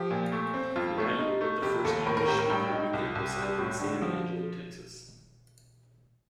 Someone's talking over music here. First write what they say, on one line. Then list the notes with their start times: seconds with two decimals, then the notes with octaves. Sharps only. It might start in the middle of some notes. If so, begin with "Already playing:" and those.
That year the first English-speaking weekend was held in San Angelo, Texas.
Already playing: F3 G4
0.11 A#2
0.32 A3
0.54 C4
0.76 F2 F4
0.98 A3
1.19 D#4
1.41 A3
1.62 F1 G4
1.85 D#2 A4
2.06 A2 A#4
2.17 A#4
2.28 A2 G4
2.39 A#4
2.50 G2 G5
2.72 D#4
2.93 C2
3.15 C2
3.37 G3
3.59 A2
3.80 D3
4.02 F3